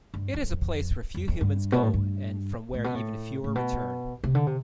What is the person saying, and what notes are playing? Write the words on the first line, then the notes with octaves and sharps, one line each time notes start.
It is a place where few humans go and from where even fewer return.
G2
F2
F2
F2
G2
B2
A2
G2
A2
B2
A2
A2
B2
C3
D3
C3